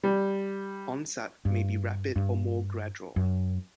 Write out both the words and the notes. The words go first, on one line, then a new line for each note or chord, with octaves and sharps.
Onset may be rapid or more gradual.
G3
G2
G2
F#2